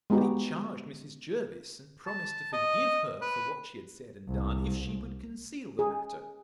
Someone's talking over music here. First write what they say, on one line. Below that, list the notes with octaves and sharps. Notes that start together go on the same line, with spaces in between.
And he charged Mrs. Jervis, and promised to forgive her for what she had said and done, if she would conceal the matter.
G#3 B3 D#4 F#4 G4
A5
D#5
B4
C2
G#4